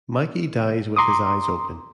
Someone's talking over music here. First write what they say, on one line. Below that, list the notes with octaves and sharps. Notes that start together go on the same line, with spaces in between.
Mikey "dies" with his eyes open.
A#5 C6 D6 D#6